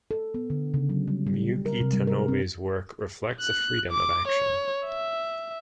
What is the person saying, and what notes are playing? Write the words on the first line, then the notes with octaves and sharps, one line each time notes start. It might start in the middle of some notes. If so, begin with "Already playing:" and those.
Miyuki Tanobe's work reflects a freedom of action.
A4
B3
D3
C#3
F#3
G3
G3
A#4
C3
G3
A#4
C4
F#6
D6
C#5
E5